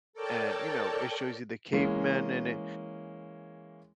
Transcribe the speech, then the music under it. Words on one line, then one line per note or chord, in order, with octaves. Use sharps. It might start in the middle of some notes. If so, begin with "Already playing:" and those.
and, you know, it shows you the cavemen and it
A4 A#4 C#5 D5 G5 A5
E3 G#3 A#3 C#4